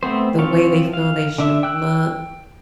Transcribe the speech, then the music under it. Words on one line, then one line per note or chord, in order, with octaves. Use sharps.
the way they feel they should look,
A3 B3 C4 C5
F3 C4 C#5 F5
F5
D3 D4 E5
G5 E6 F#6